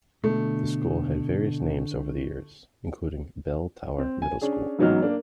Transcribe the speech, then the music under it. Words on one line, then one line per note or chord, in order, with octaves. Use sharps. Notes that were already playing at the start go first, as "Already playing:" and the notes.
The school had various names over the years, including Bell Tower Middle School.
B2 D3 A3
C4
G#5
C#4 D4 G#4
A1 G#2 F#3 B3 D#4 F6
A#3 D4